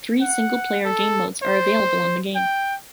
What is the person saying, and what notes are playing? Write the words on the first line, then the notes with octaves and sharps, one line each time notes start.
Three single player game modes are available in the game.
F#5
A4
C5
G5